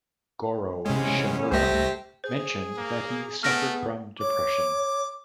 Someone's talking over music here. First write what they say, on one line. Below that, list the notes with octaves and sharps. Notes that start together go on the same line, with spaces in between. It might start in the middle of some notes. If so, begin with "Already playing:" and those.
Goro Shimura mentioned that he suffered from depression.
E2 C3 G#3 C#4
C2 A3 G4 C5 E5 A#6
G#4 C5
A#3
A3 B3 G#4 F6 A#6 D7
C#5 D6